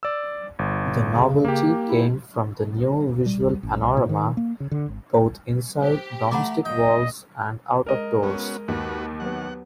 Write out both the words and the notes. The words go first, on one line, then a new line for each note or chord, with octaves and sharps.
The novelty came from the new visual panorama, both inside "domestic walls" and out-of-doors.
D5 E6
G1
C#3
A#3 G4
E4
G3
A1
C2
A#2
D#3
A#3
C#3
D3
G#1
G4 C5
A3 F#5 A#5 B5 D6
A#2 D#5 G5
G#3 A#4 D#5
B3 C#4 F#4
D#2 F#4 B4
F#3 B3 F#5